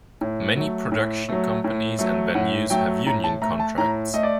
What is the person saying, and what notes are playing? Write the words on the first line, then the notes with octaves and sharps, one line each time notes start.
Many production companies and venues have union contracts.
A2
F#3 A3
A2
F#3 A3
A2
F#3 A3
A2 F#5
F#3 A3 G5
A2 A#5
A5
A3 A#5
A5
A2 A#5
A3 D#5
D5